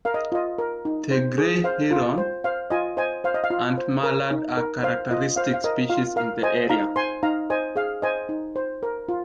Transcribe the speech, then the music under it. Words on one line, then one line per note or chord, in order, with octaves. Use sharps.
The grey heron and mallard are characteristic species in the area.
A#4 F5
D#5
F4 D#5
A#4
D#4
C5
G#4
C5 F5
F4
C5
C5 F5
F4 D#5 G#5
C5 D#5 G#5
C5 F5
D#5
F5
F4
C5
A#4
D#4
A#4
C5 F5
F4 D#5
C5 F5
F5
A#4 D#5
F4 F5
A#4 F5
C5 D#5 G#5
D#4 F5 A#5
C5 G#5 C6
D#4 F5 A#5
C5 D#5 G#5
G#4 F5
C5 D#5 G#5
D#4
C5
A#4
F4